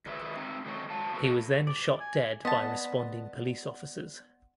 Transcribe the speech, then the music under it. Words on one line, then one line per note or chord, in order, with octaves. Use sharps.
He was then shot dead by responding police officers.
D#3 F#3 G#3 B4 E5
C4 D#4
D#3 F#3 G#3 A3 C#5
F#3 F5 A5
B3 F#4 G4 A4 B4 A5
D5
G#5
B3 D5 D#5 F#5 A5 C6